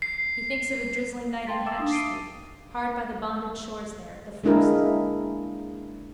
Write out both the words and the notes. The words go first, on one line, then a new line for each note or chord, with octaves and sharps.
He thinks of a drizzling night in Hatch street, hard by the bonded stores there, the first.
C7
F5 G5 A5 C6 A6 B6
E5 A5 D6 E6 A6 E7
D4 D#4 F5 D6 D#6
C7 D7 D#7 G7
G#3 A#3 D4 E4 G#4 A#4